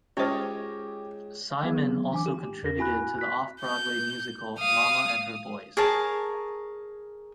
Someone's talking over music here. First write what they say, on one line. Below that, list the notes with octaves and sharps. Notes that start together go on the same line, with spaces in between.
Simon also contributed to the Off-Broadway musical "Mama and Her Boys".
C#2 C#4 G4 C5 C#5 D#5 F6
F#3 B3 G#4
E3 D4 G#5 D6
G4
E2 A#4 A#6
E4 F#4 G#5 B5 F#6
F#6 B6
G6
F5 D#6
G#4 A#4 C#5 A5